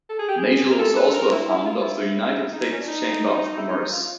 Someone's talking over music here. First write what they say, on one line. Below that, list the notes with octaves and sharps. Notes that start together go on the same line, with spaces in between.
Nagel was also a founder of the United States Chamber of Commerce.
A4
G#4
G4
G#4
A#4
A4
B4
A4
A#4
E4
E4
F4
E4
D#4
C#4
D4
D#4
E4
D#4
F4